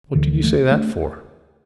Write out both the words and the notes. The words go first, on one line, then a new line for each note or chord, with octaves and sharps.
What did you say that for?
D2 D3 E3
E3 A3
A3 D4